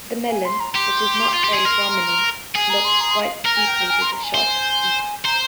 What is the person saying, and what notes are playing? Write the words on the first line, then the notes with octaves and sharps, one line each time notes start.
The melon, which is not very prominent, slopes quite steeply to the short beak.
G#5
C6
A#5
G4 C6
F4
G4
G#4
A#4
G#4 G#5
A#5
C6
A#5
C6
F5
A#4 A#5
G#5
G5
G5
G#5
C6
A#5
G#5
C5
C5 A#5